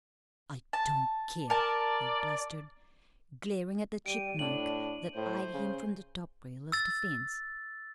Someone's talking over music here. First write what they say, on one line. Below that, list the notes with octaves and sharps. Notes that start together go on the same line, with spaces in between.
"I don't care," he blustered, glaring at the chipmunk that eyed him from the top rail of the fence.
A5
A#4 D5 A5
G3 D7 D#7
A2 D4 F#7
A2 C5
C#3
E6 A6